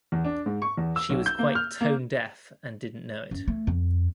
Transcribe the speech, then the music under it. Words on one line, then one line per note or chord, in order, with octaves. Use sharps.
She was quite tone-deaf, and didn't know it.
E2
D4
G#2
C#6
E2
E6
B1
G6
A#3
F6
A#3
F#2
A3
F2